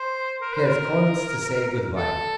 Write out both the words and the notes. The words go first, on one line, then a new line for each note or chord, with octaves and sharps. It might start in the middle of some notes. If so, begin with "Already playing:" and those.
She had called to say good-by.
Already playing: C5
A#4
C5
A#4
A4